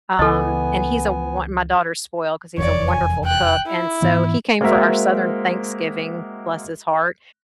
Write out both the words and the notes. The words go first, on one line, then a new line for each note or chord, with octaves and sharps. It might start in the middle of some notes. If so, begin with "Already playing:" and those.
um, and he's a wo my daughter's spoiled because he's a wonderful cook, and so he came for our southern Thanksgiving, bless his heart,
C#2 E3 B3 A4 D#5 G#5
F1 E2 C#5 D5
G#5
G5 F#6
E4
G#2 E3 B3
G#3 A#3 C4 F#4 A#4 E5